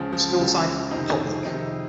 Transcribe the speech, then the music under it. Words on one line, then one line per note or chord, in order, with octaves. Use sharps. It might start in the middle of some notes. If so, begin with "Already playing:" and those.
School type: Public.
Already playing: C#2 C#3 F3
F3
C#2 C#3 F3
F2 C3 D#3 D#4
F2 C3 D#3 D#4